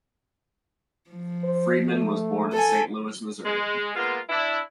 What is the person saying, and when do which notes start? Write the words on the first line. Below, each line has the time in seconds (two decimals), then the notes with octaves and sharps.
Friedman was born in Saint Louis, Missouri.
1.09 F3
1.43 C5
1.90 A3
2.52 A4 G#5
3.45 G#3
3.95 G#3 A#3 B3 F4
4.29 D4 E4